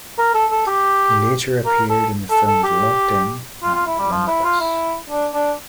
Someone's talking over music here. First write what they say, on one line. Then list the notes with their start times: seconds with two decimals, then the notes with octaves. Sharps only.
He later appeared in the films "Locked In" and "Limitless".
0.18 A#4
0.34 A4
0.51 A4
0.67 G4
1.66 A#4
1.90 A4
2.30 A4
2.47 A4
2.64 G4
3.62 F4
3.74 F4
3.87 E4
3.99 G3
4.11 F3
4.27 E4
4.44 F4
4.60 E4
5.10 D4
5.34 D4